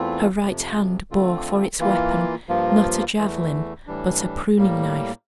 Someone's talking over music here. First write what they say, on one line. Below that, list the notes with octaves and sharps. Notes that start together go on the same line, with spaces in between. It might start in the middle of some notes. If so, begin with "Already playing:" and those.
Her right hand bore for its weapon not a javelin, but a pruning-knife.
Already playing: E2 E3 A3 C4 F4
F2 C3 F3
D3 A3 C4 F4
E3 A#3 F4
G2 F3 A#3 F4
E2 E3 A3
A2 E3 G3 D4
A2 G3 A#3